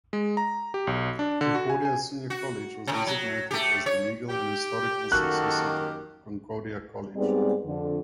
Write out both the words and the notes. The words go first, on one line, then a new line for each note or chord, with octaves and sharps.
Concordia Senior College was designated as the legal and historical successor to Concordia College.
G#3
A#5
G4
B1
D4
D3
F#4
G#5
G#5
F#4
A2 C3
F#3
A3 G4
C#5
G4
F#2 D#3 A#3 F#4 G4 A4 F#6
G#2 G3 B3 C4 G#4 D5
F2 D3